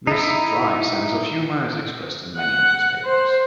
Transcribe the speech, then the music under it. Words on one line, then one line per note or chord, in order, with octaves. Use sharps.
This dry sense of humour is expressed in many of his papers.
D#4 E4
F#5
C5